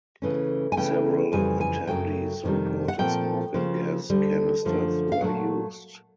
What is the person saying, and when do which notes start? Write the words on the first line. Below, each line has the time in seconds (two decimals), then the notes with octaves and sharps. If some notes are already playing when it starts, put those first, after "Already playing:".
Several attendees reported smoke and gas canisters were used.
0.22 C#3 E3 A3 C#4
0.72 G#5
0.77 C#3 E3 A3 C#4 G5
1.32 F2 C#3 E3 G3 G#5
1.61 G#5
1.87 F#2 C#3 F#3 A3 G5
2.43 F2 C3 D#3 G3
2.88 F#5
2.98 A#2 F3 A3 C4 G5
3.54 C#3 F3 A#3
4.10 D2 D3 G3
4.65 F#2 D3 F3 A3
5.12 F5
5.21 A#2 F#3 A3 F#5